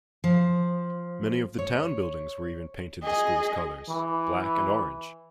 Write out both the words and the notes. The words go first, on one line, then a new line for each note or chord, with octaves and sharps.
Many of the town buildings were even painted the school's colors: black and orange.
F3
C#5
G#4 D#5
E3